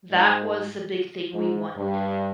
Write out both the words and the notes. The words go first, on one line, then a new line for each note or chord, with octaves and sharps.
That was the big thing we wanted.
G#2
G#2
G2